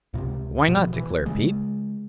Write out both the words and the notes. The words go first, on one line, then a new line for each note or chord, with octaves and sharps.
"Why not?" declared Pete.
C#2 C3
B2 F3
E3
C#3 G#3